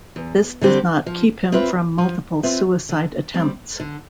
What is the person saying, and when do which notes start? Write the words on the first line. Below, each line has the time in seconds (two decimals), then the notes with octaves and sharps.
This does not keep him from multiple suicide attempts.
0.16 E2
0.61 D3 G3 C4 G4
1.06 F3
1.52 C4 F4 B4 E5
1.98 F3
2.43 C4 F4 B4 E5
2.89 D3
3.34 G3 C4
3.80 D3